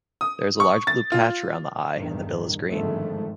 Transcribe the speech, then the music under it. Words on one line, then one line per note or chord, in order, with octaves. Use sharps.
There is a large blue patch around the eye and the bill is green.
D#6
C#6
A6
F4
A1 E2 G2 A#2 D#3
G1 F2 G#2 D#3 G#3 A3